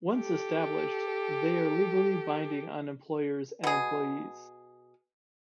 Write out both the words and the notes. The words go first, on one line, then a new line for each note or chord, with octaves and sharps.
Once established, they are legally binding on employers and employees.
G4 A4
B2 G#4